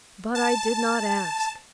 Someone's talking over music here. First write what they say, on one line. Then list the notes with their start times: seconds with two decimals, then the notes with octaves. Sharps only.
'But I did not ask.
0.35 A5